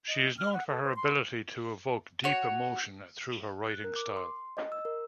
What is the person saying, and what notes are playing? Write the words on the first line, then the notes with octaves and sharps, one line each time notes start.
She is known for her ability to evoke deep emotion through her writing style.
D#5
F6
F#5
A4
C5
C6
F#4 C#5
F#6
A#4
D6
C6
D#5
E6
A#4